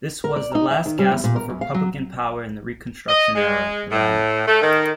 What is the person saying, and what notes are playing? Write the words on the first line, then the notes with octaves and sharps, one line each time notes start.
This was the last-gasp of Republican power in Reconstruction-era Atlanta.
A#4
D5
D#4
E5
D#3
G3
E2
A#2
A#4
F#2
F5
F#3
D#5
G#3
A2
A3
D#3